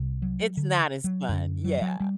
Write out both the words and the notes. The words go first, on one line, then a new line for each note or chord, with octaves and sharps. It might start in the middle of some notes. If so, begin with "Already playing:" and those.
It's not as fun, yeah,
Already playing: C2 C3
F#3
D3
F#3
F#2 D3
F#3
F#3
G3